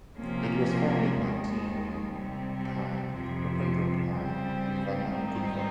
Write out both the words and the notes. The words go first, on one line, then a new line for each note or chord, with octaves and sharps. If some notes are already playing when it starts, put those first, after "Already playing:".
It was founded by T M A Pai, Upendra Pai and Vaman Kudva.
C3 F3 A#3 C#4
D#2 D#3 G#3
C3 G3 C4
F2 C3 F3
C#3 G3 C4
G#2 D#3 G3 C4 D#4